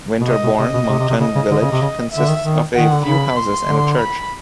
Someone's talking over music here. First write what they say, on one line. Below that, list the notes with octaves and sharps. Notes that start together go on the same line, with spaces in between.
Winterborne Monkton village consists of a few houses and a church.
B2
C3 D#5
B2
C3 D#5
B2
C3
C3
C3
C#3 D#5
C#3
D3
C#3
C3
C#3
E5
D3
D#3
D#3
D#3 F#5
D3
C#3 B5
C6
D3
B5